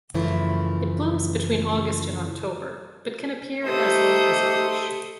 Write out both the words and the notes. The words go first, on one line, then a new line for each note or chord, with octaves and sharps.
It blooms between August and October but can appear as late as March.
F#2 C#3 E3 F3 A3 E4
D#3 A3 G4 C5 D#6